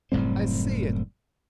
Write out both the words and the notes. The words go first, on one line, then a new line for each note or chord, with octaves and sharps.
I see it!
F#1 A2 G3 C4